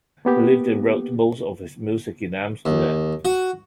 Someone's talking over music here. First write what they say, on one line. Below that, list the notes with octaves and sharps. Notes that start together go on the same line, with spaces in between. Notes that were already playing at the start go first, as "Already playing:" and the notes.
He lived and wrote most of his music in Amsterdam.
A#3 B3 G4
D#2
F#4